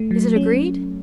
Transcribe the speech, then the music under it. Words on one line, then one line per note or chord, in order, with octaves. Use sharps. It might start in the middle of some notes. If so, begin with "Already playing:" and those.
"Is it agreed?"
Already playing: A3
F#3
C#4